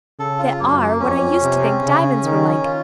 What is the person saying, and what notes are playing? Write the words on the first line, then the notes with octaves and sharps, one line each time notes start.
They are what I used to think diamonds were like.
C#3 A4
F4
F#2 A#3
A#3
F2 C#4
C3
C#3
D#3
F4